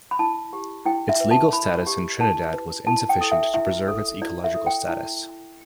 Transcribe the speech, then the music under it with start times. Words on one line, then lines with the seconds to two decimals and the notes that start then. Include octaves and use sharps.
Its legal status in Trinidad was insufficient to preserve its ecological status.
0.11 B5
0.19 E4 A5
0.53 G4
0.86 E4 G5
1.09 E5
1.20 B4
1.31 A5
1.53 E4 B5
1.87 G4
2.20 E4 A5
2.53 B4
2.87 E4 A5
3.09 G5
3.21 A4
3.32 E5
3.54 E4 E5
3.88 A4
4.22 E4 D5
4.44 E5
4.54 A4
4.67 G5
4.88 E4